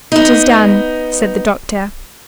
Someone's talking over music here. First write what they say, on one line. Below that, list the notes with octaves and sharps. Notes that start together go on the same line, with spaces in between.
"It is done," said the doctor.
B3 D#4